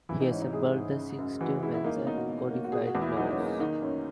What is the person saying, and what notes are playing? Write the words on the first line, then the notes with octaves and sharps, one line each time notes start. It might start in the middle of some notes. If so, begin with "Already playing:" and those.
He assembled the Six Tumens, and codified laws.
E3 E4
D#4
G#2 C#4
D#4
G#3 G#4
G#2
C#3
F#2
E3 F#4
G#3 E4
E4
A#3 D#4
C#4
B2 D#4
F#4
B2
A#3
F#4
B2 G#4
F#4
E2
E4
F#3 D#4
C#4
A#3
D#4
D#3 D#4
F#2 C#4